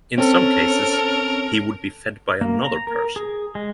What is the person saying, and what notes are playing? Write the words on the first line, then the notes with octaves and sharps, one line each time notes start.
In some cases he would be fed by another person.
C4 C#4 A4 A#4
A#3
A#5
A#4
G#4
G#3